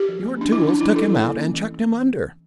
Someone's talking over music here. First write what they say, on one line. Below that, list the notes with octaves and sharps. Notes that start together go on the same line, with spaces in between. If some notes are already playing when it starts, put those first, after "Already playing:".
Your tools took him out and chucked him under.
Already playing: G4
F3
A#3
C#4 D4
F3 E4
C#4 D4
F3 E4
C#4 A4
E3
A#3
C#4
E3